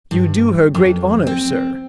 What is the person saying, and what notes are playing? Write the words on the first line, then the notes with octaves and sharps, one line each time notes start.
"You do her great honour, sir."
G2
F2
C4